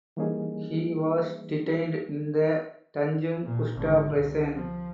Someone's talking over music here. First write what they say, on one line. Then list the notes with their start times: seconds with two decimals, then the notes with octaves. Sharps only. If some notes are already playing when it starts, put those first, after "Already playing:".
He was detained in the Tanjung Gusta prison.
0.17 E3 G3 A#3 C#4 D#4 G#4
3.45 A#2
3.74 G#1 D3
4.16 C2
4.54 F3